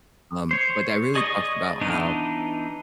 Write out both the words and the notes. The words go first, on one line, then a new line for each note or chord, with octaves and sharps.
Um, but that really talks about how,
C5 C#5
G#4 D5 D#5 C#6 D#6
E3 B3 D4 D#4